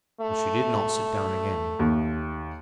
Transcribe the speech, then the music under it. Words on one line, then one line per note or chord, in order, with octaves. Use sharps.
But she did not sit down again.
A3
D#2